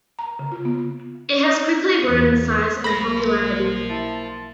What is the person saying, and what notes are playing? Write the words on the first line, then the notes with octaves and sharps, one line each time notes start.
It has quickly grown in size and popularity.
A#5
C#3
F4
B3
E2
B1 A#3 C5 F5 B5 A#6
E4 E5 A5